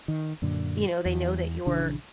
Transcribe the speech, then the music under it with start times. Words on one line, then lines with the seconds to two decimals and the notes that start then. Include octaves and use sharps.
you know, they know that you're,
0.08 D#3
0.42 F#2 A#2 D3
1.05 E2
1.66 A#1 C#3 E3 D4